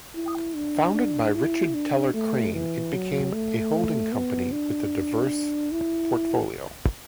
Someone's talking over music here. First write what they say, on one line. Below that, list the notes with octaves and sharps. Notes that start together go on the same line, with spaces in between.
Founded by Richard Teller Crane, it became a holding company with a diverse portfolio.
E4
D4
D4
E4
D4
A3
E3
F#3
A3
B3
D4
E4